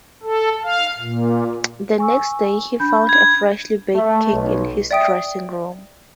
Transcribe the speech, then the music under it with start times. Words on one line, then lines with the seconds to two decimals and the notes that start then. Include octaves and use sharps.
The next day, he found a freshly baked cake in his dressing room.
0.23 A4
0.63 F5
0.99 A#2
1.98 G#5 C#6 E6
2.80 D4 B5 G6
3.09 G#6
3.95 A3
4.32 B1
4.91 D5 E5 G5 D#6 D7